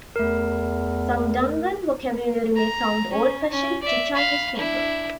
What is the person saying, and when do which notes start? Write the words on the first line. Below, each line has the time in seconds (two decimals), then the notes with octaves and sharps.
Some Dungan vocabulary may sound old-fashioned to Chinese people.
0.16 E2 A3 A#4
2.56 A#5
3.13 C#4
3.50 C#4
3.82 D5 E5
4.15 F5 B5
4.57 D4 E4